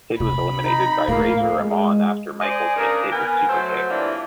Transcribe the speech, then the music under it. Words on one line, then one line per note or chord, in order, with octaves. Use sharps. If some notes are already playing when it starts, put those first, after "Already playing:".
Sid was eliminated by Razor Ramon after Michaels hit Sid with superkick.
C3 B5
D#4
A2 A#3 F5
G#3
C5 D5 D#5 G#5
C#3 D4 D#4 G#4 A#4
B3 A#4 B4 G#5
F#3 A3 C5
C3 E3 A#3 D4 E4 F4